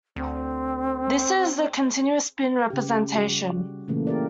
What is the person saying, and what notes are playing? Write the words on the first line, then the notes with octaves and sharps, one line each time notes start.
This is the "continuous spin" representation.
D2 C4
C#3 G4
G3 F#4
A#2 C#3 E3 A3 A#3
G4 A#4 D5